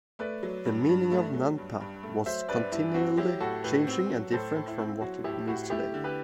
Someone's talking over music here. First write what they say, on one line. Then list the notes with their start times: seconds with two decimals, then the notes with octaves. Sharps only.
The meaning of nanpa was continuely changing and different from what it means today.
0.19 A3 B4 D5
0.43 F#3
0.65 G2
0.89 G2
1.12 A3
1.34 F#3
1.58 G2
1.81 G2
2.03 A3
2.26 F#3 C5 E5
2.49 G2 B4 D5
2.72 G2 E4
2.94 C4 F#4
3.17 F#3 E4 G4
3.40 A2 F#4 A4
3.64 A2 G4 B4
3.87 C4
4.10 F#3
4.32 A2 A4 C5
4.56 A2
4.68 E4
4.78 C4
5.01 F#3 F#4
5.24 A2 E4 G4
5.47 A2 F#4
5.70 A3 E4 G4
5.94 D3
6.04 G4 B4